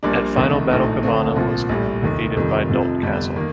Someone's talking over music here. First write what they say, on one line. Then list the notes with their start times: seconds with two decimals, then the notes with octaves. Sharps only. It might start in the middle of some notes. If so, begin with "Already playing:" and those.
At Final Battle Cabana was defeated by Dalton Castle.
0.03 A#1 A#2 G3 A#3 D4
0.36 C2 C3 D#3 A3 D#4
0.69 A#1 A2 A3 D#4
1.03 D2 D3 A3 C4
1.36 C2 A#2 F3
1.69 A#1 A2 G3
2.02 F1 D#2 D#3
2.36 F1 F2 D#3 G3
2.69 F1 F2 C3 F3
3.02 G1 F2 C3 G3
3.36 D#3 A#3